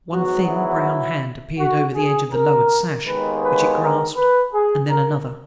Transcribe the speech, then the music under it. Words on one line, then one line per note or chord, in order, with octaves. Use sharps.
One thin, brown hand appeared over the edge of the lowered sash, which it grasped--and then another.
G#2 F#3 B3 F#4
E4
F#4
G#4
A#4
D#2 D#3 G#3 B3 B4
B4
A#4
B4
G#4
A#4